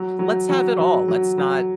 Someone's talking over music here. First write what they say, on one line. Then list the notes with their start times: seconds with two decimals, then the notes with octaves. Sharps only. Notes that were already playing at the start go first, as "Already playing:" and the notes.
Let's have it all. Let's not
Already playing: F#3
0.19 F#3
0.49 F#3
0.79 F#3
1.08 F#3
1.38 F#3